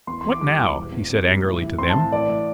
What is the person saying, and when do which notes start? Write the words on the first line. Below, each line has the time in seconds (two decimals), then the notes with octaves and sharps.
"What now?" he said angrily to them.
0.07 E2 C6
0.21 E3 C6
0.30 D6
0.41 G3 D6
0.58 E2
0.76 E1
0.92 E2
1.10 C3
1.27 G3
1.44 A2
1.61 E3
1.78 C4 C6
1.90 A5
1.96 A2
2.12 A1 D5
2.29 A2